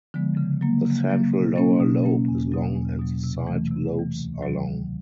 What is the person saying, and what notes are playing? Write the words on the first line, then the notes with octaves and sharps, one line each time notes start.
The central lower lobe is long and the side lobes are long.
D3 F3 G#3 B3
C#3
F#3 A#3
C#3
F#3 A#3
B2
F#3 A#3 C#4
B2
F#3 A#3 C#4
E2
B2 F#3
E2
B2 F#3
C3
E3 A3
C3
E3 A3
D2
C3 D#3 F#3
D2